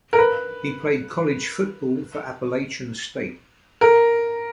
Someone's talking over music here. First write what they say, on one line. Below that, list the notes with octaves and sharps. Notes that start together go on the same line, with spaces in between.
He played college football for Appalachian State.
A#4
B4
A#4